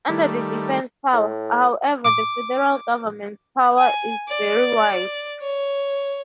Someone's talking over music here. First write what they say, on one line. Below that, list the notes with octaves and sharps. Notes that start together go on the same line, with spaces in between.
Under the defence power, however, the federal government's power is very wide.
D#3 G3 A3
A2
D6
G#5
D5
C#5